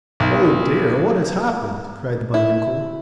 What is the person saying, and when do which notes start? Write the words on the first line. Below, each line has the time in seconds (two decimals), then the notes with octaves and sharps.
"Oh, dear! what has happened," cried the bunny uncle.
0.20 B1
2.34 E4